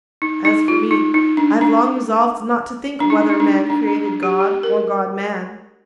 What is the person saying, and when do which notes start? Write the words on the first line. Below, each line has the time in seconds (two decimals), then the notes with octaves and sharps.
As for me, I've long resolved not to think whether man created God or God man.
0.22 D#4
0.45 D#4
0.68 F4
0.91 D#4
1.14 D#4
1.37 D4
1.61 D4
3.00 D4
3.10 D#4
3.20 D4
3.30 D#4
3.40 D4
3.70 D4
3.88 D4
4.05 D4
4.23 G4
4.40 G4
4.63 A#4